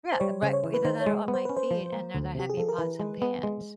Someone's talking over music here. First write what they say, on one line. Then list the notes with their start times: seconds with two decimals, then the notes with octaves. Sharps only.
Yeah, right, either that or on my feet, and they're the heavy pots and pans.
0.12 C5
0.20 G3 C#5
0.42 C#3 C5
0.53 C#5
0.64 E3
0.74 B4
0.85 D#3 C5
1.01 C#5
1.06 G#3
1.28 B3
1.34 C5
1.45 C#4 B4
1.57 C5
1.71 F3
1.92 A#3
2.14 D2
2.35 C3 G4
2.50 G#4
2.57 F3 A4
2.69 A#4
2.78 E3 B4
3.00 G#3
3.22 B3
3.43 G#3